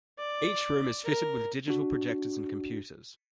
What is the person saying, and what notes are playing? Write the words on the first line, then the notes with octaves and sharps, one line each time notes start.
Each room is fitted with digital projectors and computers.
D5
A#4
D4 F#4